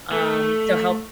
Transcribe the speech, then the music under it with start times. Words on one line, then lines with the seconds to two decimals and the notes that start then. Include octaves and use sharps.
Um, so help
0.12 A3